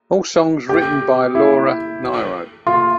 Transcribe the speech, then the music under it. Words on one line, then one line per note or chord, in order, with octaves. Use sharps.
All songs written by Laura Nyro.
G4
E4
F4